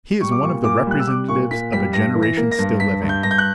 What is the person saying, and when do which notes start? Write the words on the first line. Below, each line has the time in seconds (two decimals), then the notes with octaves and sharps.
He is one of the representatives of a generation still living.
0.21 G3 C#6
0.31 D6
0.43 A#2 C#6
0.64 A#2 D6
0.86 G3 F#6
1.00 E6
1.07 G3 D6
1.28 A#2 C#6
1.51 A#2 B6
1.73 G3 B6
1.93 G2 A#6
2.15 E3
2.23 A#6
2.37 A#3
2.51 A#6
2.58 G2
2.80 G2 B6
3.02 G2
3.09 G6
3.23 G2 A#6
3.31 G6
3.38 F#6